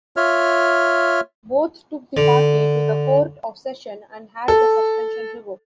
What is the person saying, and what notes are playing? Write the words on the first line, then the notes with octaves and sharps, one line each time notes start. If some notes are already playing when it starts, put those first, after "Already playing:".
Both took the party to the Court of Session and had the suspension revoked.
F4 C#5 E5 F6
D3
A4